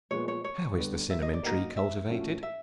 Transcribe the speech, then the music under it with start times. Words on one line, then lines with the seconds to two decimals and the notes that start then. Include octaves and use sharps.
How is the Cinnamon Tree cultivated?
0.11 A#2 F3 G#3 B3 C#5
0.28 C#5
0.44 C#5
0.77 D3 G3 B3
1.10 E5
1.22 D#5
1.34 D5
1.43 A#3 D#4 F#4 A#4 D#5
1.77 E5
2.10 A2 F3 A3 C#4 F#4
2.43 E5